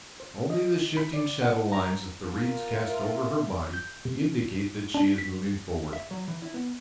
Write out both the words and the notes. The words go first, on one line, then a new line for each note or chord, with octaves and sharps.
Only the shifting shadow-lines that the reeds cast over her body indicate that she is moving forward.
C5
D#5
B5
D5
F#5
A#5
F4 A#4
E5
G6
C3
D4
B6
E5
F#3
E3
E4
B3